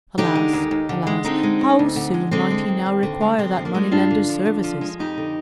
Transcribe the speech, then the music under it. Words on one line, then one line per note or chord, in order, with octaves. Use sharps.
Alas! alas! how soon might he now require that money-lender's services!
D3 D#4 G4
G#3
D#2
D#2
D3
G#3
D3 C4 D#4
G#3
D2
D2
D3
G#3
D3 G#3 C4
G#3
D#2
D#2
D3
G#3
D3 G#3 C4
F3
A#3 D4
G#3
G2 D4 F4
D3
F3
D3
F3
G#3
F2 D#4 G4
D3